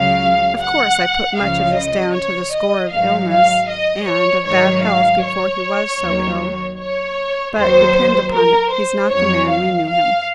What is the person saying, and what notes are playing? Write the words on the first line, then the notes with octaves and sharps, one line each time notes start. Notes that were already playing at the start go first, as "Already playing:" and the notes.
Of course I put much of this down to the score of illness, and of bad health before he was so ill; but, depend upon it, he's not the man we knew him.
Already playing: C#2 C#3 F#3 F5
F#5
C#2 C#3 F3 F5
D#5
C#5
D#5
G#2 D#3 F#3 F5
F5
D#5
C#5
G#2 D#3 F#3 C#5
F5
C#5
D#2 D#3 F#3
C#5
D#2 D#3 F#3 C5
A#4
C5
F2 D#3 F#3 C#5
F5
F5